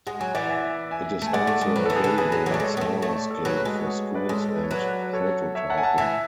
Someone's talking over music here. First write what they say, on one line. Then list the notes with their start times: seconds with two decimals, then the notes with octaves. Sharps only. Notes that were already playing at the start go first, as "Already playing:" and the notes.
It is also available in smaller scale for schools and prototyping.
0.07 G#3 F#5
0.20 F#3 G#5
0.35 E3 D5 F#5
0.49 E5 G#5
0.91 E5 G#5
1.22 A3
1.27 G#5
1.33 G#3 D5 F#5
1.47 A3
1.61 G#3
1.76 F#3 B4
1.86 E3 A4
1.96 G#4 B4
2.04 D3
2.18 E3 G#4 B4
2.32 F#3
2.46 F#3
2.51 A3 D5
2.60 G#3 A4 C#5
2.77 B3
2.81 A3
3.02 A3 C#5
3.16 D5
3.30 A4 C#5
3.44 F#3 G#4 B4
3.65 G#3 F#4 A4
3.80 C#5
3.87 G#4 B4
4.14 B4 D5
4.28 G#3 A4 C#5
4.48 A4
4.56 B4
4.63 C#5
4.71 F#3 B4 D5
5.13 A4 C#5
5.55 C#5 E5
5.70 F#5 A5
5.77 G#5
5.83 F#5 A5
5.98 E3 E5 G#5